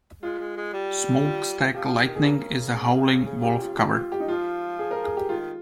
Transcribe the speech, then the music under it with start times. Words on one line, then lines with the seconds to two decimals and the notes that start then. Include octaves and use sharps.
"Smokestack Lightning" is a Howlin' Wolf cover.
0.22 G#3 F4
0.40 G#3
0.56 G#3
0.73 G3
1.24 F4
1.74 F3 G4
2.00 D#3
2.15 G#4
2.25 C#3 A#4
3.26 G#4
3.43 G4
3.61 F4
3.78 F4
3.95 F4
4.12 G4
4.20 D#4
4.28 F3 F4
4.79 G#4
4.91 A#4
5.04 G#4
5.17 G4
5.29 D#3 F4